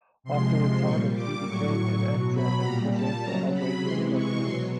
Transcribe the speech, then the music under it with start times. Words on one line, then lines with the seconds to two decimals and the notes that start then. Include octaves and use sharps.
After retirement, he became an actor and presenter of radio programs.
0.24 C3 F3 G#3 C6
0.83 A#2 G3 C#6
1.13 D6
1.43 A2 F#3 C#6
2.02 B2 F#3
2.33 B5
2.63 A#2 G3 A#5
2.92 A5
3.22 C#3 F#3 A#5
3.53 B5
3.82 C3 E3 G#3 C6
4.12 C#6
4.41 B2 F#3 C6